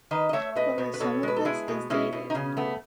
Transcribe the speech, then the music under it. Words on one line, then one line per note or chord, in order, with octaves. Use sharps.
However some of this is dated.
D#3 B4 D#5
D#5
A3 C#5 E5
B2 B4 D#5
B2
B4
B2 A4 C#5
G#3 B4
A4
G#3 E4 G#4
B2
B2 C#4 E4
B2
D#4
C#3 C#4
A3 B3